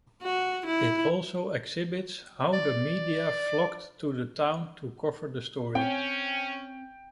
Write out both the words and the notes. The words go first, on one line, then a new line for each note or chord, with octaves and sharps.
It also exhibits how the media flocked to the town to cover the story.
F#4
E4
D5
C4 C#4 G5